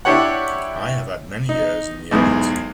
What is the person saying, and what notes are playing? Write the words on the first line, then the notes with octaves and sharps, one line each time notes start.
I have had many years in the elite.
D4 E4 G4 C#5 F#5
D#4
B1 E2 G#2